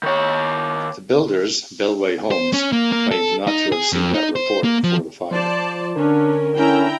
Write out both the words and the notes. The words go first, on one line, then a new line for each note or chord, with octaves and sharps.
The builders Bellway Homes claimed not to have seen that report before the fire.
D#3 C#5
C5
C#4
A#3
A#3
A4
D#4
G#4
F2
D#4
C5
A#3
F3
F3 C5 D5 A5
D3 C#4 D4 A#4
C#4 E4 G5 A#5